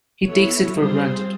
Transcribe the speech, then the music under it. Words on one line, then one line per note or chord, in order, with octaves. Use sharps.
He takes it for granted.
B3 E4 A4 C#5
F#3
G3 C4 F4 G#4 C5